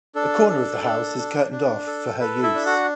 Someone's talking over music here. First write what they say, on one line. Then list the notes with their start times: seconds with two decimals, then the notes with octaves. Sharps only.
A corner of the house is curtained off for her use.
0.15 D4 A4
0.50 A4
0.84 D4
1.18 D4
1.52 D4
1.87 A4
2.20 A4 B4
2.43 E4 E5
2.54 D4
2.66 F#4 F#5